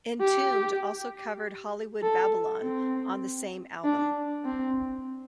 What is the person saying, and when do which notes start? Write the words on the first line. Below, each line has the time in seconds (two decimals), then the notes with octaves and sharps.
Entombed also covered "Hollywood Babylon" on the same album.
0.21 G4
2.03 A4
2.63 C4
3.84 D4
4.45 C4